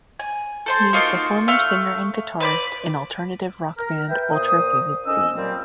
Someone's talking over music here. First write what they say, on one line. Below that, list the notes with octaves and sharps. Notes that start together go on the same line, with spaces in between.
He is the former singer and guitarist in alternative rock band Ultra Vivid Scene.
G#5
A4 C5 C6
A#3 D#4 F4 F#4
A3 F5 C#6
B4 C5 D5
A#4
B4 E5 G5
A#2 C5 D#6
F2 C#4 D#5 E6
A#2 F#3 G3 C4